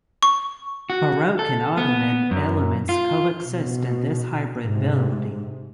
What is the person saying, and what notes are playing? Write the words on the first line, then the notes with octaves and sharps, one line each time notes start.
Baroque and Ottoman elements coexist in this hybrid building.
C#6
F#4
A4
B3
F#2
F4
B2
G#2 C3